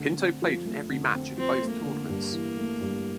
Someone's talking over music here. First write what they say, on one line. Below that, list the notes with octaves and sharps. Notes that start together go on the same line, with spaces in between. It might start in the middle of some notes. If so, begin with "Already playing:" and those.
Pinto played in every match at both tournaments.
Already playing: D3 A3
C4
F3
A3
D3
C4
F3 C4
A3
A#3
D3
G2
E3
A3
G2